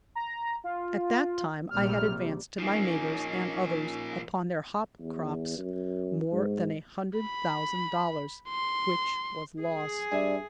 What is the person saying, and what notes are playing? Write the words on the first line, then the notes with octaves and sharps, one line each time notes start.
At that time I had advanced to my neighbors and others upon their hop crops more than a hundred thousand dollars, which was lost.
A#5
F4
A#1 C3 G3 F6
F3 A#3 C#4 D#4
E2
F#2
G#2
B5
C6
G#4
G2 D5 E5 G#5